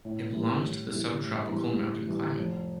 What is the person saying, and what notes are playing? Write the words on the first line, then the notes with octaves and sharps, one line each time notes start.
It belongs to the subtropical mountain climate.
A2
E3 G3
A2
E3 G3
A2
E3 G3
A2
E3 G3
F1